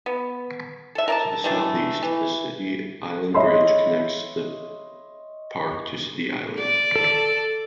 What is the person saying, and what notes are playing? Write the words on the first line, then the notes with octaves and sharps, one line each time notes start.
To the southeast, the City Island Bridge connects the park to City Island.
B3
A4 E5
A#4 D5 A5
E3 G3 A3 D4
E3
C#5 D#5 E5 B5 C6
D5
A4